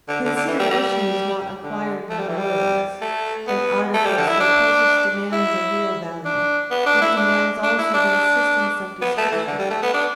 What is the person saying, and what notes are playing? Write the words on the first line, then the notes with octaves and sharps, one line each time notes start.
Consideration is not acquired by words; an article so precious demands a real value; it demands also the assistance of discretion.
D3
D3
D3
E3
G3
G3
D3
A3
G3
E3
G3
A3
B3
A3
G3
D3
E4
D4
E4
D4
B3
D4
E4
D4
D4
E4
D4
B3
A3
E3
D3
G3
A3
B3
D4